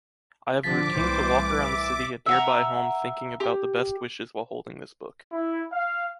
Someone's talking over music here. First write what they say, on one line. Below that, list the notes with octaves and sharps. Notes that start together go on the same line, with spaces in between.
I have a routine to walk around the city and nearby home thinking about the best wishes while holding this book.
D3 F3 D6 A6 B6
C2 A2 E3 C5
E5
E5 F#5 A#5
G4
E4
F5